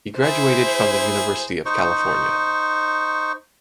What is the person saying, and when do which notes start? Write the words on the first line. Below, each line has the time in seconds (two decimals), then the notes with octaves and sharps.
He graduated from the University of California.
0.19 E4 G#4 C5
1.66 D#4 C5 C#6